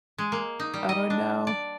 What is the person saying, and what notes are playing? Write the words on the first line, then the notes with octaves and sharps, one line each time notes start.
Oh, no.
G#3
A#3
D#4
G3
D#5
D4
D5